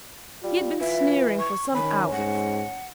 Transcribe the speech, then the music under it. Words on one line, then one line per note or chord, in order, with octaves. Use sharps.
He had been sneering for some hours.
G3 F4
E3 E5
C#6
D#3 C#4 B5
G#2 F#5